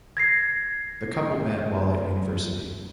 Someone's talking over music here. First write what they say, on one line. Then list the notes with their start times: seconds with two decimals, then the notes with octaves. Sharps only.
The couple met while at university.
0.17 G#6 A#6 C7